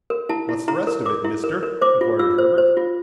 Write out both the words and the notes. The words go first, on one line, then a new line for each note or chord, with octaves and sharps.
"What's the rest of it, Mister?" inquired Herbert.
A#4
E4 A5
E4
E4 A#5
A#4
A#4 D6
E4
A#4
A#4
C5 D6
F4
F4 E6
C5
C5
F4